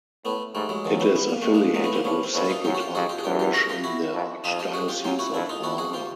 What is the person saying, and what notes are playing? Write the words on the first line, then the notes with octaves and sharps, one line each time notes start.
It is affiliated with Sacred Heart Parish in the Archdiocese of Omaha.
A2 A3 B3
G#2 G3 A3
F#3 G#3
F#2 D#3 F3
E3 F#3
B3
A#3
F2 A3
G#3 A#3
F#2 G#3 A#3
A3 B3
A#3 C4
G2 B3 C#4
C4
F2 B3 C#4
E4
D#4 F4
F#2 F4 G4
F#4
F4 G4
F2 F#4 G#4
F4 G4
G#4
E2 F4 G4
F4 G4
F#4 G#4
F4 G4
E4 F#4
F2
F2 D#4 F4
F4 G4
F#4 G#4
F4 G4
F#2 F4 G4
E4 F#4
F2 D4 E4
D#4 F4
F2 E4 F#4
F#4 G#4
F4 G4